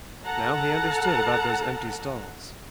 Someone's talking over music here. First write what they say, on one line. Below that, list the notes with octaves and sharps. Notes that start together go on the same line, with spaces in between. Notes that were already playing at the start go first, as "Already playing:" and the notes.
Now he understood about those empty stalls.
A4 F#5 A5 A#5